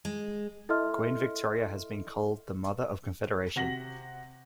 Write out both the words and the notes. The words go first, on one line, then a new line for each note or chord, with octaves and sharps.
Queen Victoria has been called the Mother of Confederation.
G#3
E4 A4 D#5 E5 C6 F6
C3 F#4 A#6 B6 F#7